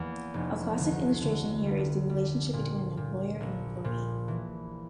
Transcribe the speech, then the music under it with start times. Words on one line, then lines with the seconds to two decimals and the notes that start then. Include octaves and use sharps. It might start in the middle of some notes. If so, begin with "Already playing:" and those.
A classic illustration here is the relationship between an employer and employee.
Already playing: E2 A#3
0.34 F1
0.78 D2
1.22 D3
1.66 G3
2.10 G3
2.53 A#2
2.97 A#2
3.41 A#1
3.84 A#2
4.28 E3